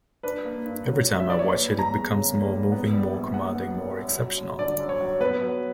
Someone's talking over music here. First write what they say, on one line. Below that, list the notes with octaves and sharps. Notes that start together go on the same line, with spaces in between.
Every time I watch it, it becomes more moving, more commanding, more exceptional.
D4 B4
A#3
G2
F#3
D4
E5
A#3 D5
C#5
A#3 B4
G3
A#5
E2
C#3
A#3
G3
B3
G3
A#1
A#2 F#5
B3
G3
F#2
F#3
F#2
D3 D5
F#2
C#5
F#3
B3 B4
F#3